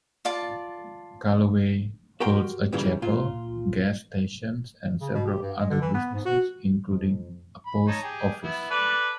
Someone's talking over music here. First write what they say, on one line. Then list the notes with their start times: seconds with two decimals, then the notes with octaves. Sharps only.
Callaway holds a chapel, gas stations, and several other businesses, including a post office.
0.25 F4 D5 A5
2.20 F#4 G4 A#4 G5 C6
2.72 G2 A#2 C#3 E3 G3
3.02 A#2 F4
5.01 C#3
5.14 B2
5.27 G4
5.42 G2
5.58 G#3
5.70 D3
5.81 E3
5.94 B3
6.14 G#2
6.25 F#4
6.91 F2
7.66 B5
7.88 D#4 C#5 A5
8.03 G4 G#4
8.43 B3 E4
8.70 A4 B4 D5